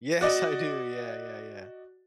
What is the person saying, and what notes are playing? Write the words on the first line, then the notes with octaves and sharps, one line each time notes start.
Yes, I do, yeah, yeah, yeah.
F#4 D5 D#5